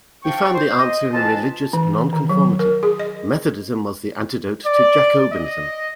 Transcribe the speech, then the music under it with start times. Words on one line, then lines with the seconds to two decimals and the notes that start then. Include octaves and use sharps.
He found the answer in religious nonconformity: Methodism was the antidote to Jacobinism.
0.24 F3 D4 G5 C#6
0.54 C5
0.79 D#5
1.13 F2 E3 F4 A5
1.73 E3
2.13 D#3
2.30 F#3
2.59 A#4
2.83 G#4
2.99 D#5
4.66 D5
5.32 D#5